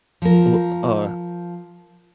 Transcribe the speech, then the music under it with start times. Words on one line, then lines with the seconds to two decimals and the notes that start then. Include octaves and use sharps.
wh or
0.22 F3 A#4